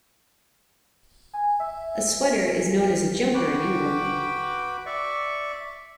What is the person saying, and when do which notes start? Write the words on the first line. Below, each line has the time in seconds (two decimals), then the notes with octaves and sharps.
A sweater is known as a jumper in England.
1.33 G#5
1.60 E5
3.34 F#4 B4 G5 B5 D6
4.86 D5 E5 C#6